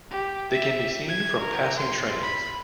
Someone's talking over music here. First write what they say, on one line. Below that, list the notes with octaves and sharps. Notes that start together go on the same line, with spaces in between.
They can be seen from passing trains.
G4
E5
G#6
A#4
C6
B5